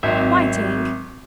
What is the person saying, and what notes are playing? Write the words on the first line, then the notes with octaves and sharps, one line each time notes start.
"Why, Tink?"
G#1 F#3 C4 E5